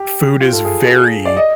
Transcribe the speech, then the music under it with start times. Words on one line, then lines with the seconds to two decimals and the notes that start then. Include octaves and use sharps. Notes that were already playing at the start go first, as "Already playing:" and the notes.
food is very
Already playing: G4
0.40 F4
0.53 A4
0.65 G#4
1.25 D5
1.37 D#5